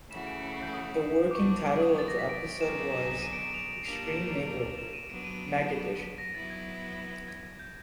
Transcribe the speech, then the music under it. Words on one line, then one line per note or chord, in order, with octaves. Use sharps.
The working title of the episode was "Extreme Makeover: Meg Edition".
C#3 E3 A3 C#4 F#4 E7
D7
C#7
C7
G6
D#6
D6
F#3 B3 D4 C#6
D6
D6
D#6
A6
A#6
B6
D7
D3 F#3 B3 D#4 G#4 E7
E7
E7
D#7
D7
E7
F7
A#2 G3 A#3 D4 F7
E7
D7
E7
D#7
F#3 B3 D4 D7
D#7
B6
A#6
F#3 B3 E4 A6
G#6
G#6
G6